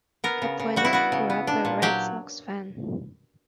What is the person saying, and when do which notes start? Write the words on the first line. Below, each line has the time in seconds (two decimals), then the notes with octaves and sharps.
Capuano grew up a Red Sox fan.
0.24 B3 A#4
0.42 C#3
0.59 C#3
0.76 G3 F#4
0.85 E4
0.93 B3 F#4
1.12 C#3
1.30 B3
1.47 D4
1.65 A#2
1.82 F#3 G4